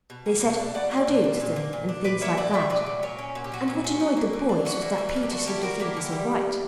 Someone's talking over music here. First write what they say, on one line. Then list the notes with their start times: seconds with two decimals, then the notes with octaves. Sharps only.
They said 'How-do?' to them, and things like that; and what annoyed the boys was that Peter seemed to think this all right.
0.10 B2
0.26 A#3
0.42 B2
0.58 D4
0.74 B2 D5 F#5
0.91 A#3
1.07 B2
1.24 D4
1.40 A#2
1.56 A#3
1.73 A#2
1.89 D4
2.04 A#2 B4 D5
2.21 A#3 C#5 E5
2.37 A#2 D5 F#5
2.54 D4 E5 G5
2.70 A#2 B4 D5
2.86 F#3
3.03 A#2 A#4 C#5
3.19 C#4
3.35 A#2 F#4
3.44 G4
3.52 F#3 F#4
3.68 A#2
3.84 C#4
4.00 E3
4.17 A#3
4.33 E3
4.49 D4
4.65 E3 F#4
4.82 A#3
4.98 E3
5.09 B4
5.14 D4 A#4
5.23 G4
5.31 D3 F#4
5.47 G3 E4 G4
5.63 D3 F#4 A#4
5.80 A#3 E4 G4
5.97 D3
6.12 G3